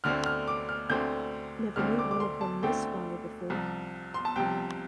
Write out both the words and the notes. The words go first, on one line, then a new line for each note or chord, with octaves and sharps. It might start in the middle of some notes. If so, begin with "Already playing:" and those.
Never knew one of them missfire before.
D2 D3 A3 C4 F6
F6
D6
F6
D2 D3 A3 C4 G6
D2 D3 A3 C4 F6
D6
D6
C6
A5
D2 D3 A3 C4 G5
C2 C3 F3
C6
A5
C2 C3 F3 G5